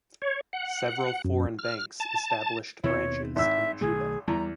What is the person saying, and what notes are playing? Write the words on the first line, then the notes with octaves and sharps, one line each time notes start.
Several foreign banks established branches in Juba.
C#5
F#5
F#2
F6
A5
D#2 B2 C4 E4 C#5
G#1 E5 E6
B1 D#3 A3 G#4
E2 G3 B3 A#5